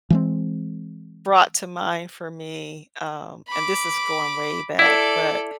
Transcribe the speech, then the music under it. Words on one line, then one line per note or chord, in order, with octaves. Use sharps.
brought to mind for me, um, and this is going way back, but,
E3 G#3 C4
B5 D6
E4 A4 D5